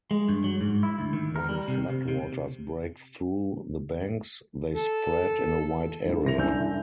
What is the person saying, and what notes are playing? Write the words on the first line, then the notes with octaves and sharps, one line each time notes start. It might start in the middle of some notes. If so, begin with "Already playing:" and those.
When floodwaters break through the banks, they spread in a wide area.
G#3
G2
F#3
G#2
E4
D2
D#3
A#4
G3
C3
C3
C3
A4
G1 D2 A2
C3 A#6 F7
F#1 C2 D4 G#5 E6 G6